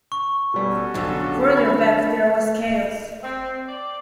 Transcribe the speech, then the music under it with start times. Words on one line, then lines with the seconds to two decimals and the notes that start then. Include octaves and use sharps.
Further back there was chaos.
0.12 C#6
0.54 B2 G3 C#4 F#4 A4
0.94 B1 F2 D3 F4 G4
1.56 B5 G#6
3.23 C4
3.68 D5